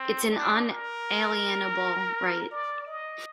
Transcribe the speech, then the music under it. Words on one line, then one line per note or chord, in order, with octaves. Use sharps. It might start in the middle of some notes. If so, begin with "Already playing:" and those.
It's an unalienable right.
Already playing: C4
D4
A#4
D5
D#5